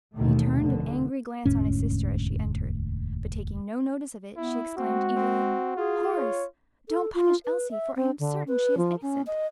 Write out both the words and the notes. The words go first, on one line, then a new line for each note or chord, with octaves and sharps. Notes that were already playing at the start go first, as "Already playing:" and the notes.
He turned an angry glance on his sister as she entered; but taking no notice of it, she exclaimed eagerly, "Horace, don't punish Elsie, for I am certain she is innocent."
A1 D#2 B2 D#3 A3
F1 D3
E1 D2 G#2 C#4
B3 E4
G#3 C4 F#4
C4
F4 G#4
C#5
A4
F4
B4
E5
C4
D3
B4
F3
C#4
D#5